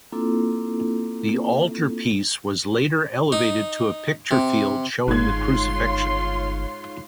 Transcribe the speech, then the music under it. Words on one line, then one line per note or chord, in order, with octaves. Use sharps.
The altarpiece was later elevated to a picture field showing the Crucifixion.
A#3 C4 D4 E4 F4 A4
D#4
C3
G1 G#2 F4 C#5 C6 G#6